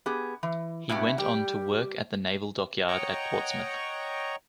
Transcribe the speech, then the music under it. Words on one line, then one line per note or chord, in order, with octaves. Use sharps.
He went on to work at the Naval Dockyard at Portsmouth.
B3 G4 G#4
E3
G2 B2 E4 F#4 G4
G3 G4 G5
C#5 D#5 F#5 G5 A#5 C#6